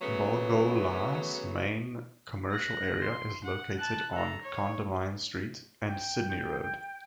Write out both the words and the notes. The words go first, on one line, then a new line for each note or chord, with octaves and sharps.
Balgowlah's main commercial area is located on Condamine Street and Sydney Road.
C#3 E3 F#3 A3 B3
F#6 A#6
C6
F#5
A5 F#6
A4 A#5
C#5
G5 G6